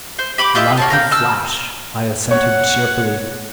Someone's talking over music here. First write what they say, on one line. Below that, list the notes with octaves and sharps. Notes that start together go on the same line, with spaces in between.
"Like a flash," I assented cheerfully.
C5
G4 B5 D6
F4 G4 D#5 E5
A#3 C#5 A5
A#4 F5 G5
A5 E6 F6
C#5 F#5